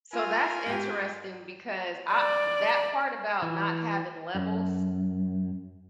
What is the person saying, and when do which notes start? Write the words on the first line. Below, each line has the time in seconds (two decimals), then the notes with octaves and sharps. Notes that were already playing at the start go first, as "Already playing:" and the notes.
So that's interesting because, I that part about not having levels
0.13 A3 F4 A#4 G#5
0.66 G#2 G4
2.12 D5
3.42 E3
4.35 F#2